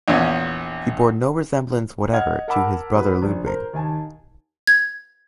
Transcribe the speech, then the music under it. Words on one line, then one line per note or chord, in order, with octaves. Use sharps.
He bore no resemblance whatever to his brother Ludwig.
A#1 E2 C#4
D#5 F#5 F6 G#6
A#4 F#5 A5 B5 D6 E6
G#2 F#4 B4
A#1
A#4 C5 A#5
D#2 D#4 G#5 A5
G#6